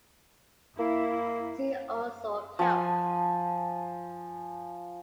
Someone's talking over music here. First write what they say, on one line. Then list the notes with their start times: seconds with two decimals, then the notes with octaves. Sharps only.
See also celt.
0.79 A#3 E4
2.59 F3 G#5